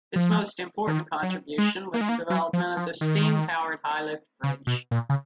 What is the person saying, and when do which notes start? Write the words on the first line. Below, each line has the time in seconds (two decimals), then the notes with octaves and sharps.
His most important contribution was the development of the steam-powered high-lift bridge.
0.16 F3
0.87 D#3
1.23 F#3
1.58 G#3
1.94 A#3
2.01 G#3
2.09 A#3
2.30 F#3
2.53 F3
2.77 F3
3.01 D#3
4.43 C#3
4.67 B2
4.91 A#2
5.10 C#3